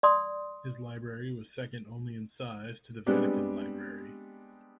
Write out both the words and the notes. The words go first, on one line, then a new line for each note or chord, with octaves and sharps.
His library was second only in size to the Vatican Library.
D5 C6 D#6
G3 G#3 B3 C4 D4 G4